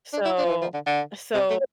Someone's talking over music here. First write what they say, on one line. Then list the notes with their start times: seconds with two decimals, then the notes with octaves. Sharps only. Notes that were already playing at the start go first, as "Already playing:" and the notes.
So, so
0.13 D4
0.25 E4
0.38 D4
0.44 F3
0.50 E3
0.62 F3
0.74 D3
0.86 D3
1.34 C3
1.50 A3